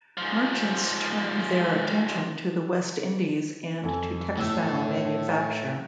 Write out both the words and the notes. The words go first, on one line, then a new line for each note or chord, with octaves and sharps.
Merchants turned their attention to the West Indies and to textile manufacture.
G#2 F3
F2 A4 G#5
G1 A2 E6
E5 G#5 A#5